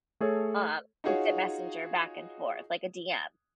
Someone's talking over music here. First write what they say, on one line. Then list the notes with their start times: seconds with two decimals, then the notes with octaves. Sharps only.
uh, instant messenger back and forth like a DM.
0.20 A3 G#4 A4 C#5
1.04 D#4 F4 F#4 G#4 C#5